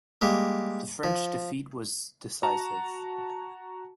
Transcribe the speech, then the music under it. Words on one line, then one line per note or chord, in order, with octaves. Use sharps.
The French defeat was decisive.
G3 G#3 A#3
F3
F#4 A5 A#5